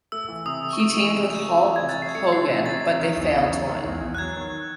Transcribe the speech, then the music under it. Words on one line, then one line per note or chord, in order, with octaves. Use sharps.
He teamed with Hulk Hogan, but they failed to win.
A3 E6
E3
C3 D#6
C3
C#6
A3 D#6
E3
C3
C3
A3
E3
G#6
C3
A6
C3 C7
A3 C#7
E3 C7
C3
C3 A6
F#3
D#3
E2
E2
F#3
D#3
E2
E2
F#6
F#3 G#6
D#3